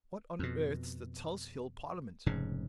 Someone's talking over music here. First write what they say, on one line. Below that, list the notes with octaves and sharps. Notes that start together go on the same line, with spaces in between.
'What on earth's the Tulse Hill Parliament?'
F2 B2
F1 G#2 C#3